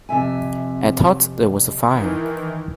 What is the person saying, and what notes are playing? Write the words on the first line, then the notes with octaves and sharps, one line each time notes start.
I thought there was a fire.
F2 C3 E5 G#5
D#3 E3